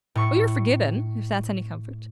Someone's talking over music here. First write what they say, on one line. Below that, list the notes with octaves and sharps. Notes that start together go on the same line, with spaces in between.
"Oh, you're forgiven--if that's any comfort."
A2 C#6